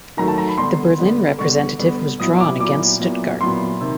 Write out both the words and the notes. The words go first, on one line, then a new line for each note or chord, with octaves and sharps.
The Berlin representative was drawn against Stuttgart.
D#3 F#3 A3 A#5
A5
A#5
B5
D3 G3 B3 C6
D3 G3 B3
D3 G3 B3 C#6
D3 G3 B3
A#2 F#3 B3 E4 D#6
D6
A#2 F#3 B3 E4 D6
A#2 F#3 B3 E4
A#2 F#3 B3 E4 C6
C3 D#3